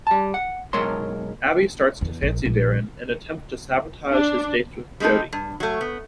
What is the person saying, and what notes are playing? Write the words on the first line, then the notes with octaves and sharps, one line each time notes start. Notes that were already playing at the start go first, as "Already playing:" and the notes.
Abi starts to fancy Darren, and attempts to sabotage his dates with Jodie.
G3 A5
F#5
B1 F#2 G#3 A#4 C#5 C6
E2
A#1
A#1
D4
G3 G#3 C4 D#4 A4
G2
F#3 A3
B3